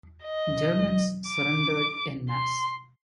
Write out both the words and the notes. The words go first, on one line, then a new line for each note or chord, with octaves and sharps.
Germans surrendered en masse.
D#5
D6
C6